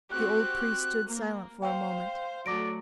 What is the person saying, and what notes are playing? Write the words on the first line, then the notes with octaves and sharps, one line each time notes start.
The old priest stood silent for a moment.
C4 F#4 G4 F#6
A#3
C5 F5 G5
F#3 A3 D5 D6 A#6 D7